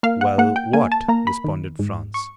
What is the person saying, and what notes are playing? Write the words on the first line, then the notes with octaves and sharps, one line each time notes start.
"Well--what?" responded Franz.
A#3 F5
F#5
A#3 F#5
G5
A#3 G#5
A5
A#3 A#5
B5
D#3
G#2
C#6